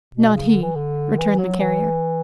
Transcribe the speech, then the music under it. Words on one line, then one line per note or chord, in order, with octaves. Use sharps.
"Not he," returned the Carrier.
B2
C#3
D3
E3
D3
E3
F#3
E3